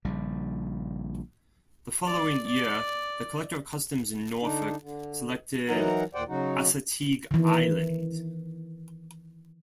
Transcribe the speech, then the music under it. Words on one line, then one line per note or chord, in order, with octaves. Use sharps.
The following year, the Collector of Customs in Norfolk selected Assateague Island.
A#1 C#3 G3
D5
D5
D3 D4 D#4
D3
E3 F#3 D#4 A#4 F#5 A#5
D#2 A#2 C5 D5 F#5 G5
C#3 F#3 D#4 F#4
D#3 E3